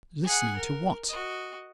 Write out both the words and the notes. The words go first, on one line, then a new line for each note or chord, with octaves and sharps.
Listening to what?
G#4 F#5
A#4
F#4 D#5